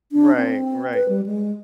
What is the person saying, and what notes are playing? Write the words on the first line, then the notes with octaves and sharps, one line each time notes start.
Right, right,
D4
C4
B4
G3
G#3